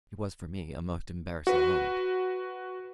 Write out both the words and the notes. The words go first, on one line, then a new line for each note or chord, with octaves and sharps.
It was for me a most embarrassing moment.
F#4 B4